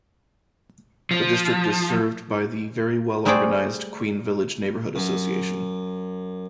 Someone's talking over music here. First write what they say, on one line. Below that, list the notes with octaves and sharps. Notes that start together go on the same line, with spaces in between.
The district is served by the very well-organized Queen Village Neighborhood Association.
F3
G3 A3 G#4 C5 D5 G5
F#2